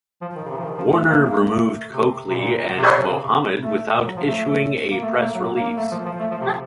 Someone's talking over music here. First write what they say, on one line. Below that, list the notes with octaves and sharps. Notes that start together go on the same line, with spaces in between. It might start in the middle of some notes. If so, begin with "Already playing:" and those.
Warner removed Cokely and Muhammad without issuing a press release.
F3
D#3
C#3
C3
F3
D#3
F3
A3
A#3
A3
A#3
A3
C3
C3
A#2
C3
C3
C#3
A3
F#3
F3
A3
A3
A3
A#3
A3
A#3
A3
F#3
A#3
A3
F3
F3
A3
F3
C3